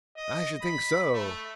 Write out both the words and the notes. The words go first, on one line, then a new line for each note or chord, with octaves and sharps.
'I should think so!
D#5
B5
A3